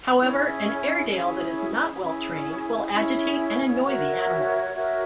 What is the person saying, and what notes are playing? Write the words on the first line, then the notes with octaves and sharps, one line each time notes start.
However, an Airedale that is not well trained will agitate and annoy the animals.
C#4 E4 G#4
C#4 E4 G#4
C#4 E4 G#4
C#4 E4 G#4
F#4 A#4 C#5 E5
F#4 A#4 C#5 E5